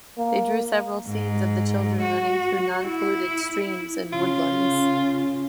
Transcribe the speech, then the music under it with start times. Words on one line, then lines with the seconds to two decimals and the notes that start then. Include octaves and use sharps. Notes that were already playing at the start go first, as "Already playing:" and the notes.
They drew several scenes of the children running through non-polluted streams and woodlands.
0.18 A#3
1.07 G#2
2.02 F#4
2.85 E4
4.13 C#3 F4